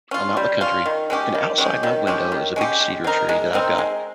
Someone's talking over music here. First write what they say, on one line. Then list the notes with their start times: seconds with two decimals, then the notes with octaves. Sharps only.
I'm out in the country, and outside my window is a big cedar tree that I've got,
0.11 C#4 F4
0.37 G3
0.61 C#4 F4
0.86 D#3
1.10 G#3 C#4 G4
1.35 D#3
1.58 G#3 C#4 G4
1.83 D#3
2.07 G#3 C#4 G4
2.32 D#3
2.56 G#3 C#4 G4
2.80 G#3
3.04 C4 D#4 A#4
3.29 G#3
3.53 C4 D#4 A#4
3.78 G#3